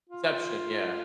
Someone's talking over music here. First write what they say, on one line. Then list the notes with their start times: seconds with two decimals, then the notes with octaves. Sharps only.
Inception. Yeah.
0.09 F4